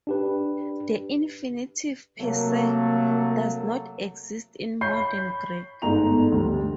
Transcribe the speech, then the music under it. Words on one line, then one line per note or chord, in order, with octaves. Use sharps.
The infinitive per se does not exist in Modern Greek.
D4 G4 B4
C3 F#3 A3 A#3
C#5 B5 G6 C7
G1 G#2 A3 B3 A#5 F7
D2 G3